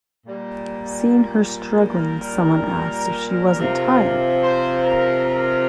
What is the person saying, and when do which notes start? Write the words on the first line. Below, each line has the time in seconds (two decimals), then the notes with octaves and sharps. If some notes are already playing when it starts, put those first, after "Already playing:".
Seeing her struggling, someone asked if she wasn't tired.
0.24 A#2 G3
1.92 A#4
3.57 C3 F3
4.42 C5
4.83 A#4
5.25 A#4